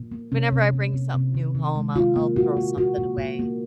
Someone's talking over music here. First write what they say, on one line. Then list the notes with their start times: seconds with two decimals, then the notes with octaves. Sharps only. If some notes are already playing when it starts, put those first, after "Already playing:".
whenever I bring something new home, I'll I'll throw something away.
Already playing: A#2
0.12 A#3
0.32 C3 C#4
0.52 C3
0.73 C3
0.93 C3
1.14 C3
1.34 D#3
1.55 D#3
1.76 G#3
1.96 A#2 F4
2.16 A#3
2.36 A#2 F#4
2.57 A#3
2.77 A#2 F#4
2.98 A#2
3.18 A#2
3.39 A#3